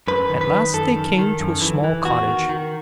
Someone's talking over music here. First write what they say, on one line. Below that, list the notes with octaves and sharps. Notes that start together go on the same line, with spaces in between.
At last they came to a small cottage.
F#2 B4
D#3
B4
D#3
F#2 A4
D#3
D#3
F#2
E3
E3
E2 F#4
D#3
D#3